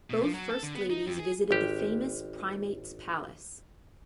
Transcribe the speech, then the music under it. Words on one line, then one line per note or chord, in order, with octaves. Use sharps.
Both first ladies visited the famous Primate's Palace.
B2
F3
F#3
A4
D3
B3
D#4
F2
G#4
G#1 G4